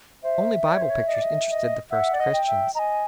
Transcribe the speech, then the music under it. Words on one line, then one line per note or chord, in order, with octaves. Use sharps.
Only Bible pictures interested the first Christians.
C5 E5
D5
C#5
C5
C#5
D#5
D5
D#5
D#5
E5 F#5
D5
D#5
G5
E5
D#5 G#5 A#5